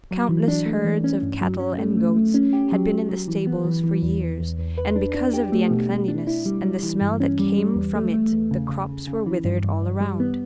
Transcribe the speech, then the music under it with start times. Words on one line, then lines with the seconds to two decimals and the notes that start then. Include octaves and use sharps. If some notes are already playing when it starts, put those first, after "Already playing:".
Countless herds of cattle and goats had been in the stables for years, and because of the uncleanness and the smell that came from it the crops were withered all around.
0.11 F#3
0.29 E3
0.48 D4
0.66 A3
0.85 E3
1.04 C#4
1.23 G2
1.41 F#3
1.60 C#4
1.78 A3
1.97 A3
2.16 A3
2.34 C#4
2.53 G4
2.72 F#3
2.91 F#3
3.09 F#3
3.28 E3
3.47 B3
3.65 E3
3.84 E3
4.03 E2
4.21 E2
4.40 E2
4.59 E2
4.78 B4
4.96 D4
5.14 D4
5.33 G4
5.52 A3
5.70 B2
5.89 B2
6.08 D4
6.27 E4
6.46 G3
6.64 G3
6.83 E3
7.01 G2
7.20 C#4
7.39 G3
7.58 G3
7.76 E2
7.95 A3
8.14 A3
8.32 E2
8.51 C#3
8.69 C#3
8.89 C#3
9.07 C#3
9.26 E3
9.45 G2
9.63 G2
9.82 G2
10.01 G3
10.20 B3